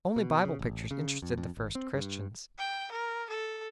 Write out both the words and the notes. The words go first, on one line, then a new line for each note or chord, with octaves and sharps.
Only Bible pictures interested the first Christians.
B2
C#3
A1
C#3
F2
F2
G#1
C4
G2
G5
A#4
A4